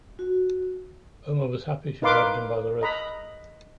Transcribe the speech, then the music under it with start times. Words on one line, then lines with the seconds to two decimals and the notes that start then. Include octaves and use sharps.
Omer was happy she grabbed him by the wrist.
0.19 F#4
2.02 D#4 A#4 B4 F5 C6 D6
2.81 D#5 A#5 B5